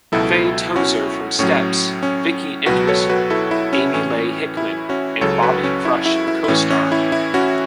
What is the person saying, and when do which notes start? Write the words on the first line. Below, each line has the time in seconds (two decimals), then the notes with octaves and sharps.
Faye Tozer from Steps, Vicky Entwistle, Amy Leigh Hickman and Bobby Crush Co-starred.
0.12 C#2 B2 F#3 E4 A4
0.76 C#4 F#4
1.39 A2 F#3 C#4
2.03 C#4
2.66 C#2 B2 F#3 F#4 B4
2.87 A4 C#5
3.09 F#4 B4
3.30 E4 A4
3.51 E4
3.73 C#4
3.94 A2 E3 C#4
4.57 E4
4.89 C#4 F#4
5.21 C#2 C#3 F#3 A4 C#5
5.42 F#4 B4
5.64 C#4
5.85 E4
6.06 E4
6.28 E4
6.44 E4
6.48 A2 E3 C#4
6.70 C#4
6.92 E4
7.12 E4
7.34 C#4 F#4